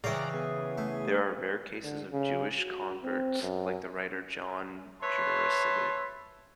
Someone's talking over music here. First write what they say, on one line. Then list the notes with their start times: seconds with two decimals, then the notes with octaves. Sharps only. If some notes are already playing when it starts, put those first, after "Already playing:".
There are rare cases of Jewish converts, like the writer Jon Juaristi.
0.04 C#3 E3 D5 F5 G5 A#5
0.34 B3 G#4
0.78 A3
1.83 D3
2.13 C#3
2.58 F#4
3.03 C4
3.43 F#2
5.02 B4 C#5 E5 A5 C6